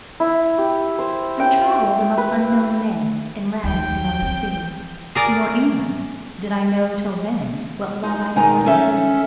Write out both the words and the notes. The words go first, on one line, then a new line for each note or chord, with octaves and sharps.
I travell'd among unknown men In lands beyond the sea; Nor, England! did I know till then What love I bore to thee.
E4
G4
C5
G5
B4
D#2 G5
C4
G#4 A#4 D5
D#4 D#5
B2 D#3 D#4 G#5 A#5
C#4 A4 E5